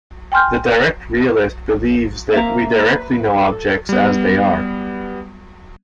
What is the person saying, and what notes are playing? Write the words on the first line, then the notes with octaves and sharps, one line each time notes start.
The direct realist believes that we directly know objects as they are.
G5 G#5 C6 F6 G6
A#3 C4 E5 F5 A#5
B4
A4
G3 B3